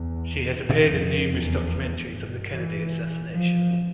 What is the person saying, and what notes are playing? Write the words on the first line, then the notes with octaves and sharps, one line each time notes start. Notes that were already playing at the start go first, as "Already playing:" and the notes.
She has appeared in numerous documentaries on the Kennedy assassination.
Already playing: E2
F2
E2
G2
E3
F3